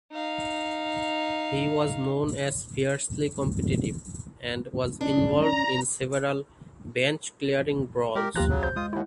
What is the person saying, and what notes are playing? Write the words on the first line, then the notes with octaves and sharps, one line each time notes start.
He was known as fiercely competitive, and was involved in several bench-clearing brawls.
D#4 F5
C#4 D4
A#5
G#3 G4 A#4
D#2 F3 F4 G4 A#5 F#6
C2 C#3 F#3
C5 G6
G#3 F4 D#6
D#2 E4 F#5